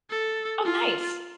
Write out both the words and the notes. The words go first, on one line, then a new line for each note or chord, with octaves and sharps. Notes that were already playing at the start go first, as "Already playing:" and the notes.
Oh, nice.
A4
F4